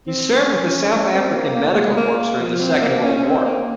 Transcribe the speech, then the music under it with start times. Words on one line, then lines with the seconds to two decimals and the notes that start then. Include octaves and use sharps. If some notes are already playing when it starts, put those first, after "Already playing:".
He served with the South African Medical Corps during the second world war.
0.07 C4
0.35 C#4
0.63 C#4
0.92 C#4
1.13 C4
1.34 A#3
1.55 A#3
1.76 G#3
1.97 A#3
2.40 F3
2.61 C4
2.82 A#3
3.02 C#4
3.16 C#4
3.24 C4
3.45 A#3